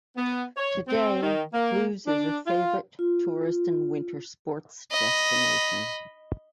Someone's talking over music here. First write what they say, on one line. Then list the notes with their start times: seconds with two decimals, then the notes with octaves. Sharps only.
Today, Cluses is a favorite tourist and winter sports destination.
0.16 B3
0.57 C#5
0.87 C4
1.22 D#3
1.53 A#3
2.06 D4
2.46 F4
2.99 F4
4.92 D#5 B5